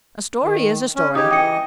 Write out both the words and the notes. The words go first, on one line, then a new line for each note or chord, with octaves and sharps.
A story is a story.
D#3
C#4
C#3 D#4 G4 D#6 G#6
E3 D#5 G5 C#7